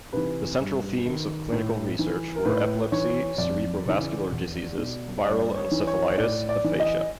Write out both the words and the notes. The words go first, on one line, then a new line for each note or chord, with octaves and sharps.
The central themes of clinical research were epilepsy, cerebro-vascular diseases, viral encephalitis, aphasia.
C3 E3 B4
G2
D#3
A2
E3
A#4
A2 B4
E3 C#5
F2 D5
C#3 E3
E2
B2
G2 D5
C#5
E3
C#5
A2 D5
D5
E3
D#5